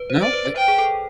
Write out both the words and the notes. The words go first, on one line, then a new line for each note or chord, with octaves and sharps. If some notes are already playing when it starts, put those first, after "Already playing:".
No, uh
Already playing: B4
C5
C5 D5
B4
C5 G5
G#4
A4